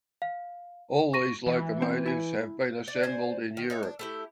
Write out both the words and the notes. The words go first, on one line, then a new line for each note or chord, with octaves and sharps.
All these locomotives have been assembled in Europe.
F5
C#6 A#6 D#7
E3
C4
E4 G#5
D5
C5 D5 G#5
D#3
D#4 C#5 E5
D4
A3 E4 G4